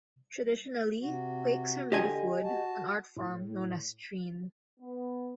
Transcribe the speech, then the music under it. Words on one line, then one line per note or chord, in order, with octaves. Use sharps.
Traditionally quaichs are made of wood, an artform known as "treen".
C3 F#4
D3 G4 D#5 G#5
F#4 A5
A2
B3